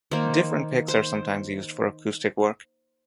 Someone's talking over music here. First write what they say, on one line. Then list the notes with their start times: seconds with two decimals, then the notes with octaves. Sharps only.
Different picks are sometimes used for acoustic work.
0.11 D#3 A#3 C5
0.88 C5